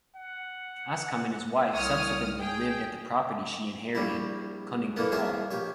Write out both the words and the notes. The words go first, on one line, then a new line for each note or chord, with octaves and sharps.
Askham and his wife subsequently lived at the property she inherited, Conington Hall.
F#5
C2 C#5 D#6 F6
G#4 G5
A#1 G3 E4
D3 E3 A#3 B3
C2 F3 G#4 A#4 C#5 E5
A#1 G4 C#5